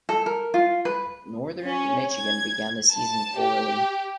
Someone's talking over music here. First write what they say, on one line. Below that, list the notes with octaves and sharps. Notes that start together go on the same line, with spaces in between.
Northern Michigan began the season poorly.
A4
A#4
F4
B4
C#4
G#6
A5
G4